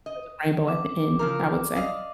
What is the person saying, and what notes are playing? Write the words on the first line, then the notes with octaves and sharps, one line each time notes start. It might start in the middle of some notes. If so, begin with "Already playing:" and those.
there's a rainbow at the end, I would say.
D#5
D6
C#3 F3 A#4
D5 D#5 F5